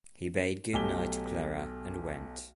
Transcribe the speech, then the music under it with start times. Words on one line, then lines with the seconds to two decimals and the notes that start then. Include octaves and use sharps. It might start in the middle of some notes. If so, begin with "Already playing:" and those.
He bade good-night to Clara, and went.
0.73 B1 A3 G4 G#5 B6 G7